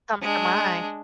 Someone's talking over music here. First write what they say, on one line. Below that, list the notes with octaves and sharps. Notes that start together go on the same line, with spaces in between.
comes to mind.
G#3 D4